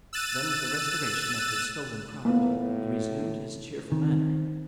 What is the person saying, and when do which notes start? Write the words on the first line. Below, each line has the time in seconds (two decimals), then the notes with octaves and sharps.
Then, with the restoration of her stolen property, he resumed his cheerful manner.
0.13 E6 F#6 A6 D#7
2.25 A2 A#3 B3
3.92 D#3 C4